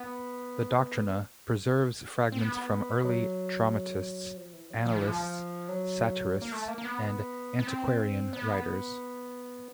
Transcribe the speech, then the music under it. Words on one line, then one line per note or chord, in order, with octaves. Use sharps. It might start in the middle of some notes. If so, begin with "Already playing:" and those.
The "Doctrina" preserves fragments from early dramatists, annalists, satirists, and antiquarian writers.
Already playing: B3
C4
B3
F#3
F3
E3
F#3
F3
E3
F3
F#3
A#3
A3
A#3
A#3
B3
B3
C4
B3